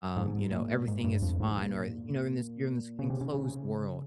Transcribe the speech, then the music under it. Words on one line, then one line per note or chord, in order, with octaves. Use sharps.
um, you know, everything is fine or you know, in this you're in this enclosed world,
G#2
A#2
G#2
G2
F2
G#2
A#2
C#3
C3
C#3
C#3